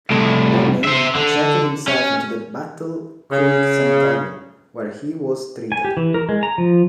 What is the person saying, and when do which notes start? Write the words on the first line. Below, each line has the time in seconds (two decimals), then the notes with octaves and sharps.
Penney checked himself into the Battle Creek Sanitarium, where he was treated.
0.11 C2 A2
0.85 C5 E5
1.16 D3
1.88 C#4
3.31 C#3
5.72 G#5
5.85 G4
5.97 E3
6.14 A#4
6.29 G#3
6.43 A#5
6.58 F3